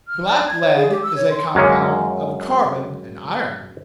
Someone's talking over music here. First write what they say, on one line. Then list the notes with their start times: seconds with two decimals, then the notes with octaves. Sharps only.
Blacklead is a compound of carbon and iron.
0.09 F6
0.27 D5
0.48 G#6
0.62 C#5
0.75 G#4
0.89 G4
1.02 E6
1.14 C#5
1.31 C6
1.55 F#2 G#3 A#3 C#4